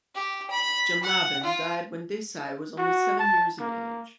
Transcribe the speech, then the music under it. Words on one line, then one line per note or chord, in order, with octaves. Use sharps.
Jamnabehn died when Desai was only seven years of age.
G4
B5
F#5
F4
F#4
A5
A#3